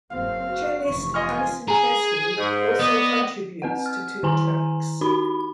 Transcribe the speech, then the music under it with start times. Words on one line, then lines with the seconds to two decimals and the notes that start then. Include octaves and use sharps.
Cellist Alison Chesley also contributes to two tracks.
0.11 F#1 C4 F5
0.46 F#4
0.84 F1 E3 C#6
1.14 F4 D#5 G#5 C#6 F6
1.68 G#4 G#5 A#5
2.37 G#2
2.79 B3 D5 D#5
3.62 C4 B4 F#5
3.86 F6
4.23 D#3 E4 G#5 A#5
5.01 D#4 F#4 B5